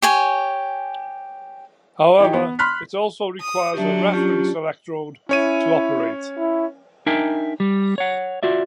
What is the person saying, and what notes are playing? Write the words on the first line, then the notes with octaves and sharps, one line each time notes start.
However, it also requires a reference electrode to operate.
G4 C#5 G#5
E3 D#4 G4
B3
B5 C6 F6 F#6 B6
D#6
F#3 D4 G4 E5
C#4 F4 G4
C#4 E4 C#5 D#7
E4
D4 D#4 A#4 E5 G5 G#5
G3
C#5 F#5
F4 F#4 D5 E5